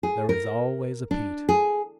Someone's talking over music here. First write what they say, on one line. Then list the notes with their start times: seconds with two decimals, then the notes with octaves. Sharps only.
There is always a Pete.
0.03 G#4
0.29 A#4
1.11 D4
1.49 G#4